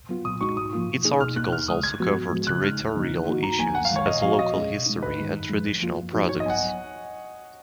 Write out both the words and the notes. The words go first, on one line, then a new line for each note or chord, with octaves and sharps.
Its articles also cover territorial issues as local history and traditional products.
F#3 B3 F4
A#2 D#6
G#3 D#4 F#4 C#6
G#2 D#6
F3 A#3 F4
B2
A#3 D#4 G#4
B2 F6
A#3 D#4 F#6
D#2 F6
C#3 G#3 D#6
F2 G#6
F3 G#3 B3 F#4
G#2
F3 G#3 B3 F#4
C#3 F#6
G#3 D#4 F6
D#2
C#3 F3 A#3 D#4
D#3
A#3 D#4 F#4
F#2 A#5
F3 A#3 G#5
F#2 F#5
F5
D#3 G#3 C#5
A#2 D#5
F3 B3 F#4 F5
A#2 D#5
G#3 C#4 G#4
B2
G#3 D#4
G#2 B4
D#3 G#3 D#4
F#2
F3 G#3
F2
F3 A#3 F4
F#2
F3 A#3 D#4 F#4
G#2 C#5
D#5
F#3 B3 F#5 G#5